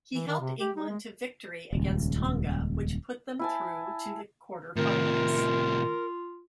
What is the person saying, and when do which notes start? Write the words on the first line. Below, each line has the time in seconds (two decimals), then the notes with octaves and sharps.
He helped England to victory against Tonga which put them through to the quarter-finals.
0.14 E3
0.27 D#3
0.40 C3
0.60 G4
0.77 D#4
0.89 G#3
1.72 D#1 C#2
3.39 E4 G#5 A5
4.76 A2 C3 D#3 A3 C4 F4 A#4